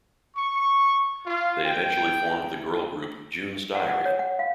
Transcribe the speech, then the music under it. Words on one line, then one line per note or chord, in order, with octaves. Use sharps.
They eventually formed the girl group June's Diary.
C#6
F4
G5
F#5
F#5
C#5
F#5
F5